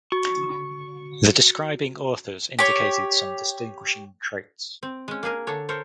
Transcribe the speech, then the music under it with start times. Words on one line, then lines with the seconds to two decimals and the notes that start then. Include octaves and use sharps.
The describing authors indicated some distinguishing traits.
0.12 F#4 C#6
2.59 G4 C#5
4.83 C4
5.08 G#3 C#4
5.23 A#3 D4 G#4 A#4
5.47 D3 D4 A4 C#5
5.69 A4 A#4 C5 C#5